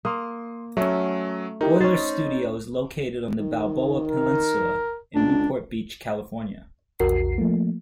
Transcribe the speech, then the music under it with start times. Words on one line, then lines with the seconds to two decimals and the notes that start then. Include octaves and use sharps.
Boller's studio is located on the Balboa Peninsula in Newport Beach, California.
0.05 A#3 C6 D#6
0.77 F#3 A3 C#4
1.61 D#4 E4 G4 A#4
1.80 C#4 C5 D#5 A6
3.39 D#3
4.08 A#4
5.15 C#2 D4
7.00 A#1 E2 F#4 A#4 C7
7.38 F3 A3 A#3